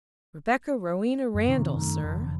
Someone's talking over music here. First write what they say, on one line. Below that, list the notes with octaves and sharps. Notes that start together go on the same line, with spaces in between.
"Rebecca Rowena Randall, sir."
F#2
C3 D#3 C4 C#4
F#2 D#3 A3
F1 F2 D3 E3